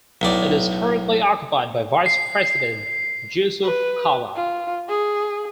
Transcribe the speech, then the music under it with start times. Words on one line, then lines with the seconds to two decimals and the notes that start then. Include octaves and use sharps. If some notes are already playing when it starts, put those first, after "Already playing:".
It is currently occupied by Vice President Jusuf Kalla.
0.21 B1 A2 D5
2.06 C7
3.64 B4
4.36 F4
4.89 G#4